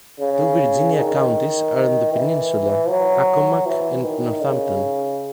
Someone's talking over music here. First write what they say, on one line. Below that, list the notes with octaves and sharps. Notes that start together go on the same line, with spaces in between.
Two Virginia counties are on the peninsula: Accomack and Northampton.
C#3
D#3
E3
F#3
E3
D#3
C#3